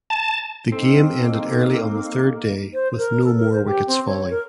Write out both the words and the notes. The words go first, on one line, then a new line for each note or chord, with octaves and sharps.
The game ended early on the third day, with no more wickets falling.
A5
A#3 C4 D#4 A4
C5
A#4
A4
A#4
C5
G4
C4
C#5
A#4